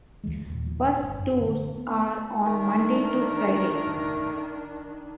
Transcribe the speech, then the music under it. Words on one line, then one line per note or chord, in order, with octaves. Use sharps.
Bus tours are on Monday to Friday.
D2 E3 G#3
D#2 A#2
G1 D4
F#2
D1 D2 D3
B3
D#3 A3 D4 A#4